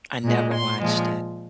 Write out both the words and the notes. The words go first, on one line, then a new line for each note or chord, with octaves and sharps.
I never watched it.
A#2 G#3
C6
A#2 F3 G#3